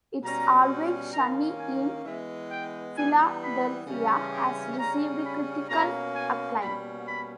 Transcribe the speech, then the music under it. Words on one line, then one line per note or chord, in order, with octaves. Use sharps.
"It's Always Sunny in Philadelphia" has received critical acclaim.
B2 G3 C#4 A#5
D#3 A#3 C#4 A#5
G#5
E3 G#3 B3 E5
G5
E3 G3 B3 G#5
B5
C#3 E3 G3 C#4
G5
C#3 G3 C#4 A#5
B5
B2 A#3 C#4 A#5
G#5
B2 G3 A#3 C#4 B5
B5